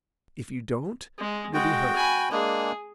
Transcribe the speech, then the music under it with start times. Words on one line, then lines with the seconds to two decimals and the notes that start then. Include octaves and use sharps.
If you don't you'll be hurt.
1.18 G#3
1.54 G#3 F#4 G5
1.96 G#5 B5
2.32 G#3 A#3 D4 G#4